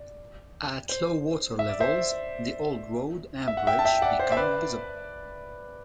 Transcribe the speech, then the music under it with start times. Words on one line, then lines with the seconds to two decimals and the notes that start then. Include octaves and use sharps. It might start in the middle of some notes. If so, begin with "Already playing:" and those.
At low water levels, the old road and bridge become visible.
Already playing: D5
0.89 C5
1.59 E5
1.69 D5
1.80 C5 E5
3.48 E5
3.57 F#5
3.67 E5 G5
3.79 A5
3.85 E5 G5
4.02 D5 F#5
4.19 C5
4.32 E5
4.37 B4 D5